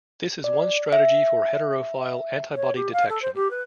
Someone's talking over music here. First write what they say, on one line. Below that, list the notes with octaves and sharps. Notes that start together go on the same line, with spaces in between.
This is one strategy for heterophile antibody detection.
D5
E5
C#5
G4
F5
A4
C5
G4
B4